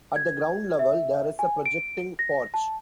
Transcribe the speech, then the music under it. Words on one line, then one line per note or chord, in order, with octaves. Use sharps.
At the ground level, there is a projecting porch.
G#6
E5
G#5
D7
A#6
A5